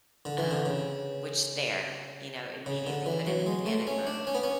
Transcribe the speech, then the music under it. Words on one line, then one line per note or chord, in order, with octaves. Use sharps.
um, which there you know, immediately put him in the panic mode,
D3
E3
D3
C#3
C#3
D3
E3
F#3
G#3
A3
C#4
D4
C#4
B3
C#4